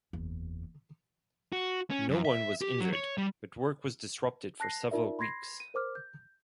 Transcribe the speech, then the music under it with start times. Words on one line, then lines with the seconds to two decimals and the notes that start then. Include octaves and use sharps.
No one was injured, but work was disrupted for several weeks.
0.13 F#1 E2
1.53 F#4
1.90 C#4
2.09 F#2
2.25 E5
2.62 G4
2.80 F#3
2.93 C#5
3.18 G3
4.60 A5 F#6 A#6 C7
4.91 D#4 F4 A#4 D5 E5
5.19 B5 C6 G#6 A#6 C7
5.60 D#7
5.74 A#4 C5 D6 F6
5.95 G6